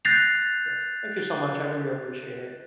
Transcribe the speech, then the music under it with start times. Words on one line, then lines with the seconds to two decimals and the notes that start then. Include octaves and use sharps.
Yeah. Thank you so much, I really appreciate it.
0.05 F#6 G6 A6 A#6 C7 F7